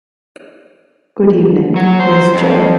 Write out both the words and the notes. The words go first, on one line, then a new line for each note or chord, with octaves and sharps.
Good evening, Miss Jo.
F#3
C5
F2